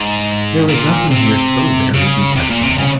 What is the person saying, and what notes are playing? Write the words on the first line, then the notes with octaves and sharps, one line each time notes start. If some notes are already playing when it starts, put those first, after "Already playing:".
There was nothing here so very detestable.
Already playing: G#2
A#2
C3
C#3
C3
A#2
C3
C#3